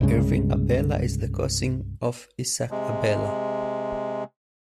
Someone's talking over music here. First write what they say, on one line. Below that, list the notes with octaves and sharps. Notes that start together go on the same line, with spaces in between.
Irving Abella is the cousin of Isaac Abella.
C2 G2 C#3 G#3
C3 G#3